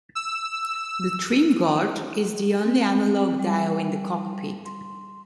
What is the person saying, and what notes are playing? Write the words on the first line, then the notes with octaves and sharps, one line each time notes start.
The trim gauge is the only analogue dial in the cockpit.
E6
C4
G3
C6